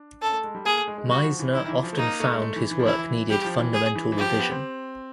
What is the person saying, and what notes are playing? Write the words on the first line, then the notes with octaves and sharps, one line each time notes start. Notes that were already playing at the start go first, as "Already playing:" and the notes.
Meisner often found his work needed fundamental revision.
Already playing: D4
C#4 A4
A3
G#3
G3
A#3 G#4
A3
G#3
G#3
G3 F#4
F3
E3
D#3 E4
D#3
E3
F3
A3
A#3 D#4
A3
G#3
A3
E3
E3
F3
E3 E4
G3 G4
F3
E3
G#4
E3
E3
F3 G4
F3
B3
C4